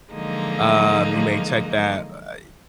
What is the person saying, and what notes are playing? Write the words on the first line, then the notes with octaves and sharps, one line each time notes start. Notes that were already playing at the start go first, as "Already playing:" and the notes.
um, you may check that, uh,
D3 F3 F#3 G#3 A#3 D#4